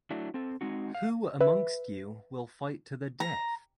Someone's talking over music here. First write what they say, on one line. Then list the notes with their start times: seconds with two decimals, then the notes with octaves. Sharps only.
Who amongst you will fight to the death?
0.10 F#3 A3 D4 E4 F#4
0.34 C4 A4
0.61 G#3 C4 D#4 F#4
0.95 F5
1.41 B4 E5
3.20 A#5